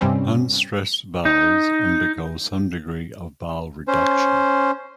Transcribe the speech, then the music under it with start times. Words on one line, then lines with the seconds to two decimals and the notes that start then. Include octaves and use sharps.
Unstressed vowels undergo some degree of vowel reduction.
0.01 G2 C3 G3 C4 C#4
1.25 D#4
3.88 C#4 C5